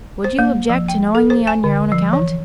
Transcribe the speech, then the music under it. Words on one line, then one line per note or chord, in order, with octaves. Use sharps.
"Would you object to knowing me on your own account?"
C5
A#3
F3
G5
A4
C5
G#5
D3
F3
E3